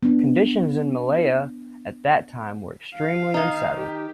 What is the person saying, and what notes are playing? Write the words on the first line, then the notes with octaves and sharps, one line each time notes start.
Conditions in Malaya at that time were extremely unsettled.
B3 D4
F5
D#3 D#4
G4